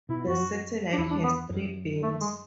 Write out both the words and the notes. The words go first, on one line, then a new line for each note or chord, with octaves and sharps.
The satellite has three beams.
B2 E4
F#2 F#4
D4
E2 E4
D4
B3
F#2
A3
G#3